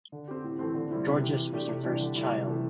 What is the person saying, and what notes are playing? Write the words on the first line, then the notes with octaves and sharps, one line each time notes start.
Georges was their first child.
D3
C4 G4
A2
E3 A3 C4
D3
G3 C4 E4
C3
E3 C4 G4
E3
A3 D4 G4
C3
E3 G3 D4 G4
D3
G3 E4
C3
E3 A3